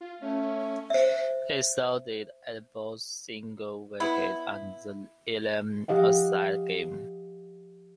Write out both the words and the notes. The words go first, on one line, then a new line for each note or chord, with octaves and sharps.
He excelled at both single wicket and the eleven-a-side game.
F4
A3 C#4
C5 E5
B3 E4
F3 G4 D#5 F5 F#5